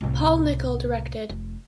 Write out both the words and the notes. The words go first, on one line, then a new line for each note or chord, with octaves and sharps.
Paul Nickell directed.
C2 A2
F1